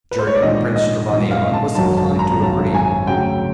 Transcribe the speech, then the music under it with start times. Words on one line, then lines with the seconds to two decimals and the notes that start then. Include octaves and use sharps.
Jurgen, Prince Trevannion was inclined to agree.
0.11 B4
0.19 C5
0.27 C#5
0.35 D5
0.42 A#1 G#2 D#3 D#5
0.76 D#5
1.09 A#1 G#2 D#3 D#5
1.31 F5
1.53 A5
1.75 G#1 F#2 D#3 F#3 A5
1.97 A5
2.19 A#5
2.41 G#1 F#2 D#3 F#3 A5
2.75 G#5
3.07 D2 C#3 F#3 G5